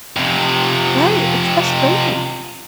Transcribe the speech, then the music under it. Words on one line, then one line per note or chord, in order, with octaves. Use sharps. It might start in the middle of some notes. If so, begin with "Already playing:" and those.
Right, it's frustrating.
F2 C3